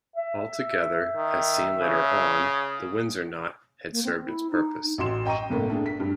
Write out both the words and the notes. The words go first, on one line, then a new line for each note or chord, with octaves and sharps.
Altogether, as seen later on, the Windsor knot had served its purpose.
E5
D#3
C#3
A#3
C4
E4
D#4
A1 F#4 C6 E7
D#5 G5 A#5 C#6 D#7
G1 C2 A2 A#3
A3 D4 G#4
B6
G2